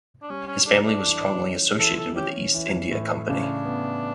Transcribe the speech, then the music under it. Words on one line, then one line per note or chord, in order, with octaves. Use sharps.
His family was strongly associated with the East India Company.
D4
G3 C#4
C#4
D4 A4
D4
E3
C#4
E3 A4
A4
C#4 G4
E3
A2
C#3 D4
B3